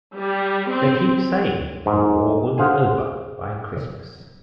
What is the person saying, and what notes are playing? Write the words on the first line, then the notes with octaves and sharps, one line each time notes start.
They keep saying the war will be over by Christmas.
G3
C4
G#2
G#4 C5 F5 F#5 G#5